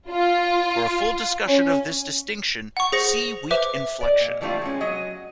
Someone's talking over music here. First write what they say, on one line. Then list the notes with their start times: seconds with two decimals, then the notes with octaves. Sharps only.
For a full discussion of this distinction see weak inflection.
0.10 F4
1.47 C#4
2.77 F#5 C#6
2.92 G#4 C5 A#6 C#7
3.17 F7
3.51 B4 C5 E5 D6
4.01 D5 D#5
4.20 A#2
4.41 E3 F3 G3 A3 D4 F4
4.61 G#3 C#4
4.81 F#3 D#5